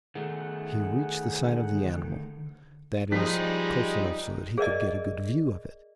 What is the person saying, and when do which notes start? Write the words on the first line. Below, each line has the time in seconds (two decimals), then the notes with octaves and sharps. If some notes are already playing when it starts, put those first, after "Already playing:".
He reached the side of the animal, that is, close enough so that he could get a good view of it.
0.15 D#3 A3 G#4 F#5
1.46 D3
3.12 F3 G3 G#3 D#4 B6
4.58 G#4 A#4 D5 D#5